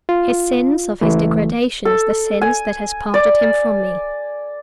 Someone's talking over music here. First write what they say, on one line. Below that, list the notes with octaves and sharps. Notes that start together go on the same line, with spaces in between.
His sense of his degradation is the sense that has parted him from me.
F4
C#2 E3 A3
A4
G#5
D5